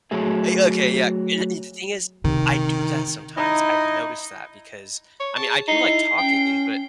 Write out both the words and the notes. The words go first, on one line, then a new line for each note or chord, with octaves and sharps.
a okay, yeah, a and the thing is, I do that sometimes, I've noticed that because, I mean, I do like talking, but,
F#3 A3 G#4 E5
C3 D#3
D#4 E4 D#5
C#5
G#4 A5
D#4 E4 C7
C#4 G5